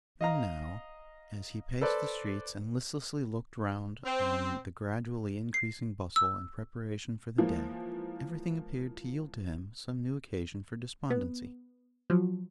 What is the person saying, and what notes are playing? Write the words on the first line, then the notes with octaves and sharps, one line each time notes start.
And, even now, as he paced the streets, and listlessly looked round on the gradually increasing bustle and preparation for the day, everything appeared to yield him some new occasion for despondency.
D#5 F5 A#5
A4 B4 C5 D5
C4
C7
E6
E3 F3 G#3 A#3
B3
F3 F#3